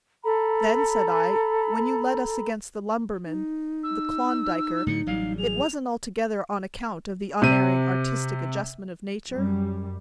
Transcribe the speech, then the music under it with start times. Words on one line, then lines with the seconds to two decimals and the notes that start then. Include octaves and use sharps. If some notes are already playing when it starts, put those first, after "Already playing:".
"Then," said I, "when you led us against the lumberman--the--Klondiker --it wasn't altogether on account of the Unerring Artistic Adjustment of Nature?"
0.24 A4 A#5 B5
3.26 D#4
3.83 E6
4.87 A2 D3 F#3 C#7
5.07 A1 F#3 G3 F5
5.38 G#4 F7
7.42 C3 D#7
9.30 F#2 G3